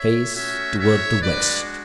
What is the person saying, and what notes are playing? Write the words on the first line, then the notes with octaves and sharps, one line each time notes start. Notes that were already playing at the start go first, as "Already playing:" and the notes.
Face toward the West!
Already playing: C#5 E5
A3 C#4 F#4 C#5 E5
C#5 E5
G#3 D4 F#4 B4 D5